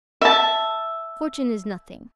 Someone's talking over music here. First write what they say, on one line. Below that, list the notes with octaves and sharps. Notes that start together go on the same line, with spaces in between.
Fortune is nothing.
E5 A5